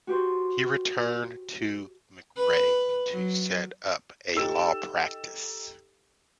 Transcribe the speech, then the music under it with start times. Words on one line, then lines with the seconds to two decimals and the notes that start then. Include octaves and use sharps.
He returned to McRae to set up a law practice.
0.07 F#4 G4 C5
2.37 B4
3.11 F#3
4.35 D#4 G4 A4 E6